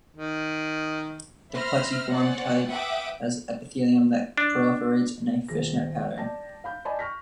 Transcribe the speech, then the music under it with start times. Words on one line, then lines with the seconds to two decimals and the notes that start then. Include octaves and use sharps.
The plexiform type has epithelium that proliferates in a "Fish Net Pattern".
0.16 D#3
1.52 C5 E5 B5 F6 A#6
2.10 C#4 C5 D5 F#5
2.69 B4 E5 F#5 G5 D6 D#6
4.38 D4
5.48 D#1 G#4 A#6
6.18 D5 G5 A5 A#6
6.64 F5 B5 G6
6.85 D5 D#5 G#5 A5 B5 C6
6.99 C#6 F6 A#6 B6